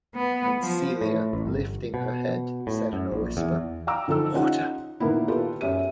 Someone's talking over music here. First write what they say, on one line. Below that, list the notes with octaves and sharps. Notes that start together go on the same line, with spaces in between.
And Celia, lifting her head, said in a whisper: "Water!"
B3
F3
A2
A1
G1
B2
A2
F#2
A#1
E2
F5 G5 A#5 D6 E6
D3 F3 D#4 A4 E6
C#4 D#4 F4 G4 F#5
A#2 D#3 A#3 B3 E4
F4 G4 A4 B4
F#2 G4 E5 D#7